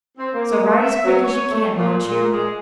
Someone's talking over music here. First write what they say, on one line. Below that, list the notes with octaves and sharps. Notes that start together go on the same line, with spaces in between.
So write as quick as you can, won't you?
C4
A#3
E5
F#3
C#5
A3
A#2
A#2
G#3